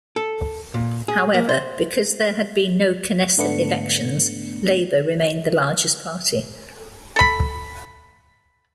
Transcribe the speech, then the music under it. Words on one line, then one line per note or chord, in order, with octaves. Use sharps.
However, because there had been no Knesset elections, Labour remained the largest party.
A4
A#2
G#4
A#3
C5
G#2 D3 A3 B3 D4 C#7
A4 B5